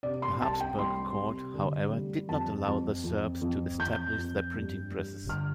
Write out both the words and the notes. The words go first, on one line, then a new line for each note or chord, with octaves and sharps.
The Habsburg court, however, did not allow the Serbs to establish their printing presses.
C3 D5
C6
C2 A5
G5
G3 C6
C3
D3
G3
F2 A5
F2
F2
F2
F2 G6
F2
G2
G2
G1 F6